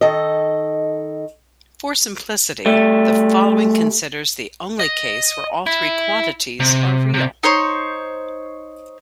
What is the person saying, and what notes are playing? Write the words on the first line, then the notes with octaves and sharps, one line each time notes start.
For simplicity, the following considers only the case where all these quantities are real.
D#3 A4 D#5
G3 A3
D#5
E4
C3
C3
D#4 C5 C#5